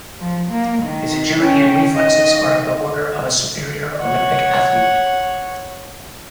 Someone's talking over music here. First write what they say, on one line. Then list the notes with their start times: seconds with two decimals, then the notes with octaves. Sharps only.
His agility and reflexes are of the order of a superior Olympic athlete.
0.19 F3
0.51 A#3
0.82 D#3
1.41 C#4 G5
1.96 D#3 D#5
4.01 C#5 F#5